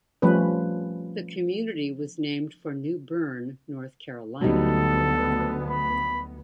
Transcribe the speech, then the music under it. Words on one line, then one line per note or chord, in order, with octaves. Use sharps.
The community was named for New Bern, North Carolina.
F3 G3 A3 C#4 B4
D2 F#3 G3 B3 D#4 A4
B5